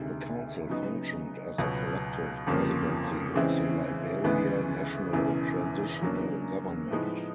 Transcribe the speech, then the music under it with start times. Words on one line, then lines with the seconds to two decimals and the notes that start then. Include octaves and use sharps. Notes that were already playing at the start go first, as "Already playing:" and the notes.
The council functioned as a collective presidency of the Liberia National Transitional Government.
Already playing: D2 C3 D#3 G#3
0.69 C#3 F#3 B3 D#4
1.58 C#2 B2 F#3 B3
2.47 G1 F2 C#3 F3 A#3
3.35 C#3 E3 G#3 C4 E4
4.24 D2 C#3 E3 G#3 B3
5.13 E1 E2 C#3 E3
6.02 C#3 F#3 A#3 D4
6.90 A2 F3 G#3 B3 D#4